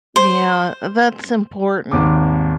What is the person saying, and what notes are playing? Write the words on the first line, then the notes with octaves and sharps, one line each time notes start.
Yeah. That's important.
C5
G#1 D#2 D6